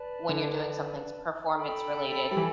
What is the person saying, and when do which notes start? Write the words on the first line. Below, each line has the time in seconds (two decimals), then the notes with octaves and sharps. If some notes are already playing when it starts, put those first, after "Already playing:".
when you're doing somethings performance-related.
Already playing: B4 D5 A5
0.29 D3
1.54 A4 G5 B5
2.31 G3
2.37 E3